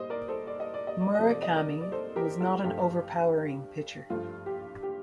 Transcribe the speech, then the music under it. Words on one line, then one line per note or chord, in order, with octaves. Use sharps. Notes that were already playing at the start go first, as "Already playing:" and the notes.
Murakami was not an overpowering pitcher.
Already playing: A#2 G3 C5 D#5
A#4 D5
A4 C5
D5
D#5
D5
D#5
D5
C3 F3 A3 D#5
D5
D#5
A#4 D5
D5
A4 C5
G4 A#4
F4 A4
G2 F3 A3 G4
G2 F3 A3 F4
G4
G4